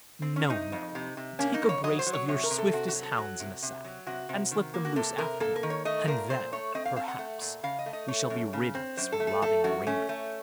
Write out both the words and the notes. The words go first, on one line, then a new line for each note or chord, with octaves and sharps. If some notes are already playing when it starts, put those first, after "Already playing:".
No, no; take a brace of your swiftest hounds in a sack, and slip them loose after him; and then, perhaps, we shall be rid of this robbing Reynard.'
C4
C#4
C3 D#4
F2
C3
C3
A#3 C#4
D#4
F2
C#5
F#3 D#5
C5
F#3
C#5
C3 C#5
A#4
C3
A4
C3 F#4
F#4
F#3
A4
F#3 F#4
C3
C3
F#3
C3 F#4
C3
D#3
A#3
F#4
C3 A4
C3 A#4
A#3 A4
A#4
D#3
C#5
A3 D#5
A#2 A#4
A#2 C5
A3 C#5
C4 D#5
F5
C4 F5
F#5
A3
A#2
C#3 F5
D#5
A3
D#5
A3 C#5
F#2
C#3
C4
F#2 C5
A4
A3
A4
A3 A4
F#2 F#4
A3 C#4
A3